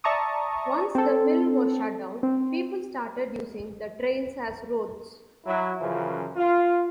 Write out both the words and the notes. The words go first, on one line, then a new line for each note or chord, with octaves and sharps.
Once the Mill was shut down, people started using the Trails as roads.
D5 E5 A5 A#5 C#6 D#6
C4 A4
C4
F#3 E4
F#2 C#3 E3 F3
F4